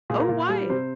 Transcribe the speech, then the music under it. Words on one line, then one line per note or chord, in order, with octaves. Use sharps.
Oh, why?
A#2 G#4
A#4
A#2
G3
C3 C5